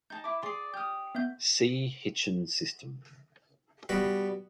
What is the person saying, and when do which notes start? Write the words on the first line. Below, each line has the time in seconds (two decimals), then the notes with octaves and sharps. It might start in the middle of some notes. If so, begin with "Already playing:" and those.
See Hitchin system.
0.10 D#4 A5 G6
0.24 E4 D6
0.43 G#4 D5 C6 C7
0.74 G4 D#6 F6 G6
1.15 B3 E5 G6
3.89 G3 B3 F#4